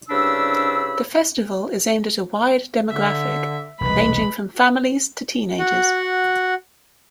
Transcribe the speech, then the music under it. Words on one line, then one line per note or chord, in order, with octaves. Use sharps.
The festival is aimed at a wide demographic ranging from families to teenagers.
C2 G2 C#3 D4 B5 E6
D3 E5
E1 C2 G#3 B4 B5
F#4 F#5